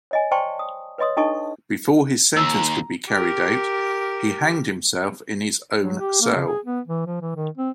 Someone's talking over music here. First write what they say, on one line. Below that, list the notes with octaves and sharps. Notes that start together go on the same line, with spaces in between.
Before his sentence could be carried out, he hanged himself in his own cell.
C#5 D#5 G#5
C5 D5 G5 A5 C6 C#6
D#6
B4 C#5 D#5 C6 D#6
D4 D#4 A4 D#5 A5 C#6
D#2 A#5 E6
G4 A#4
F#3
G4
A#3
C#3
G#4
B3
E3
F3
E3
D#3
C4